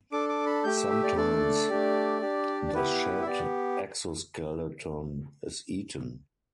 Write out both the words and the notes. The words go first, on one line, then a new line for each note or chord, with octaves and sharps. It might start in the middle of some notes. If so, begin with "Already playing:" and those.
Sometimes the shed exoskeleton is eaten.
D4 A4 D6
D6
B5
A3 G4 G6
E6
E5
D5
A3 D4 A4 D5
A3 D4 G4
D4 G4
D5
B3 E4 G4 B4
E5
B3 G4 D5